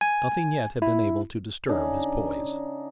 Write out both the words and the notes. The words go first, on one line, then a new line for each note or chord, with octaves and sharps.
Nothing yet had been able to disturb his poise.
G#5
E4
C#3 D4 D#4